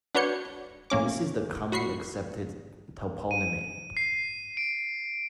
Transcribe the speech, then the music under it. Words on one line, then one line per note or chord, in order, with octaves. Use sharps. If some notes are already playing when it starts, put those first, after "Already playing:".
This is the commonly accepted toponymy.
D4 F#4 B4 C#5 G6 C#7
A2 A#3 C#4 D6
F#4 B5 C#6 C7 C#7
D#7
C7
D7